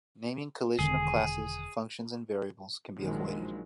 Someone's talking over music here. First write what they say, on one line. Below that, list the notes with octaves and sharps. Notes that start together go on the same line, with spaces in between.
Naming collision of classes, functions and variables can be avoided.
E1 D3 D#3 G#4
A#1 D#3 F3 F#3 G#3